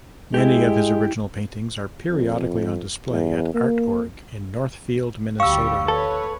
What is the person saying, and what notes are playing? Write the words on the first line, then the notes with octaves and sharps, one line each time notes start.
Many of his original paintings are periodically on display at ArtOrg in Northfield, Minnesota.
G#3 E4 G4
F2
E2
A#3
D2 G3 G4 F5 C#6 E6
A4 B4 C#5